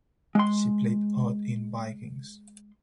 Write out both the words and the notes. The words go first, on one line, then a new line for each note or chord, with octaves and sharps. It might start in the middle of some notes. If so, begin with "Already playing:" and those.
She played Aud in "Vikings".
G#3 C6